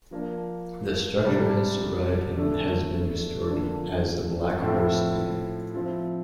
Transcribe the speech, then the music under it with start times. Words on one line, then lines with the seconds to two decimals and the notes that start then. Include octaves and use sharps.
The structure has survived and has been restored as the Black Horse Inn.
0.11 F3 A#3 D4
1.24 C3 G3 D4
2.37 D3 A3 D4
3.49 D3 F3 A#3 D4
4.61 A2 F3 C4 E4
5.74 F3 C4 E4